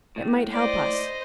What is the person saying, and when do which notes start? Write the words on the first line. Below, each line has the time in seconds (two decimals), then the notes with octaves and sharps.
It might help us.
0.16 A2
0.54 C5 D5 D#5